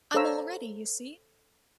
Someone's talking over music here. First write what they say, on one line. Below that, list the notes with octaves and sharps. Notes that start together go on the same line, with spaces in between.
I'm all ready, you see.
A4 C5 C#5 F5 A#5 E6